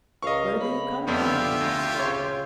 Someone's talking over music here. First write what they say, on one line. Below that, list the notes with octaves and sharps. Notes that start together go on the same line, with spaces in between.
"Where do you come from?" asked Calder.
C#2 A#4 D#5 F5 C#6
C#3 B5
F2 D3 B3 F4 G4 E5
D2
C#3 C#5 C6